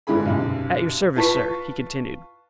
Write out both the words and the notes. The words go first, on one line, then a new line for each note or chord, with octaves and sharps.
"At your service, sir," he continued.
G1 G#2 D3 G4 G#4 B5
B1 F#2 C3
F4 B4 A5 C#6 B6